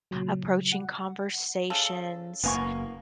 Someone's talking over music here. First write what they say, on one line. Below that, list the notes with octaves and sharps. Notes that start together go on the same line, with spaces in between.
approaching conversations,
A#2 C#3 F#3
F#5
C#3 A4
F#1 A#3 B3 G#5 C#6